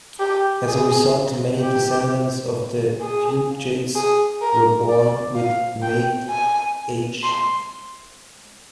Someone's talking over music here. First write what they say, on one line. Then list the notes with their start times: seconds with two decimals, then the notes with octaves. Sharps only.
As a result, many descendants of the Fugates were born with met-H.
0.20 G4
0.66 G#4
1.61 G4
3.01 G#4
3.95 G#4
4.42 A#4
4.90 D5
5.36 F5
5.83 G5
6.30 G#5
7.24 C6